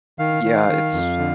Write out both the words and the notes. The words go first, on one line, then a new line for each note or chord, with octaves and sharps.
Yeah, its
D#3 F5
D#3
D#3
F2
D3